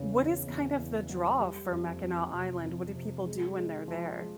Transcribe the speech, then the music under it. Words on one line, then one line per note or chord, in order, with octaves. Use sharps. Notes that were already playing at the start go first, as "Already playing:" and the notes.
what is, kind of the draw for Mackinac Island? What do people do when they're there?
Already playing: E2 C#3
E2
E2
E2
F#3
G3
F2
F2
C3
F2
C3
G#3
G#3
F3
G#3